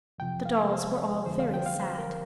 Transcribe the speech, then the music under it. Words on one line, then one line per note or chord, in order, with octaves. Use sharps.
The dolls were all very sad.
F2 C3 F3 G5
F5
C5
F2 D3 F3 C5
F5
G5
F5
C5
A#4